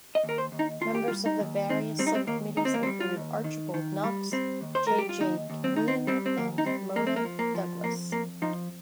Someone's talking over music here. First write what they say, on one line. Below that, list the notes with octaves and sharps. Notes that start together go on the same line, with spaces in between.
Members of the various sub-committees included Archibald Knox, J J Kneen and Mona Douglas.
D#5
D#2
A#4
C5
D#2
D#4
D#2 F4
G4
F4
G3
D#4
D#2
D#3 C4
G3 C4
D#4
C4
D#2 A#3
D#2 D#4
C4
A#3
C4
G3
F4
D#2
D#3
D#3
G3
G3 C4
D#2
C5
G3 A#4
G4
F4
D#2 D#4
D#2
C4
D#3 D#4
C4
G3 C4
C4
D#2 A#3
D#4
G3 C4
F2 A#3
C4
A#3
F3
A#3
F3
F2 A#3
F2 A#3
F3 D#4